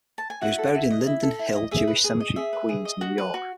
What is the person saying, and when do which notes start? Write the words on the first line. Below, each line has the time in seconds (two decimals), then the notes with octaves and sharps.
He is buried in Linden Hill Jewish Cemetery in Queens, New York.
0.18 A5
0.30 G#5
0.41 E4 F#4 F#5
0.58 A4
0.75 E4
0.91 D#5
1.07 E4
1.23 A4
1.39 E4
1.55 D#5
1.71 G#4 E5
1.87 B4
2.04 G#4
2.20 D#5
2.36 G#4 E5
2.53 B4
2.69 G#4
2.85 D#5
3.01 F#4
3.18 B4
3.34 F#4